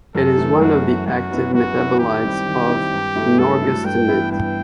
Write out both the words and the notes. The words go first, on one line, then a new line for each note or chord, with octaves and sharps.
It is one of the active metabolites of norgestimate.
F#2 A4
E3 A3
F#2 F#4
E3 A3
F#2 F#4
F#3 B3 E4
F#2 F#4
F#3 B3 E4
D#3 G4
G3 C4 E4
D#3
G3 C4 E4
G2
F#3 A3 E4
G2 A4
F#3 A3 E4
G2 G5
E3 B3 E4
G2 G5